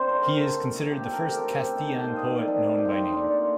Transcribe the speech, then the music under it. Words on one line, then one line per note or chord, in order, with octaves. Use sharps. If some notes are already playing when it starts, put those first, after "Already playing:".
He is considered the first Castilian poet known by name.
Already playing: C4 D4 F4 C5
A3 A#4
A3 A4
A3 A4
C3 G4
A4
A#4
C3
G4 A4
C3
A4
D#3
A5
C3 G5
F5
D#5
D#3
D5
A4
A3 A#4
G4
A3 F4
D#4
A#2 D4
A3 F4